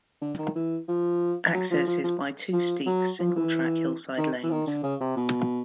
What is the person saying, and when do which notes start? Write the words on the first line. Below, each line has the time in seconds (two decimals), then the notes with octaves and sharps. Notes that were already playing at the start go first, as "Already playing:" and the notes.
Access is by two steep, single-track hillside lanes.
0.22 D3
0.39 D#3
0.55 E3
0.88 F3
1.54 F#3
1.71 F3
1.87 F3
2.04 F3
2.53 F3
2.86 F#3
3.19 F3
3.36 E3
4.18 D#3
4.43 E3
4.51 D#3
4.67 D3
4.83 C#3
5.01 C3
5.16 B2